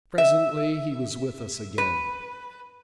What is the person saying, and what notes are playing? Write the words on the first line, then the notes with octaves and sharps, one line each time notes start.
Presently he was with us again.
E5
B4